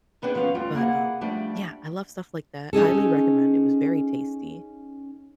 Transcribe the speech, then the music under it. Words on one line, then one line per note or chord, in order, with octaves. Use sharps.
but, um, yeah, I love stuff like that, highly recommend, it was very tasty,
G#2 B3 C4 D4 F4 G#4
G#2 F3 B3 C#4 C5 F5
D2 G3 F4
A#3 E4 G#4 F#5
F3 G3 A3 D4
C#4 D#4 G#4 A4